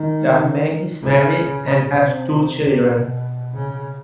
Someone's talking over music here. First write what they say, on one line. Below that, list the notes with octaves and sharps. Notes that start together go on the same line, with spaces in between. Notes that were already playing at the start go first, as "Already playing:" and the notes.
Dahmen is married and has two children.
Already playing: D#3
C#3
C#3
C3
C3
B2
C#3